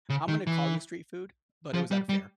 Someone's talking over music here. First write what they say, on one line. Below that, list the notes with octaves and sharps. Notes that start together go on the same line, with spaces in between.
I'm gonna call this street food, but it was at a fair.
C#3
D#3
E3
F3
G3
G3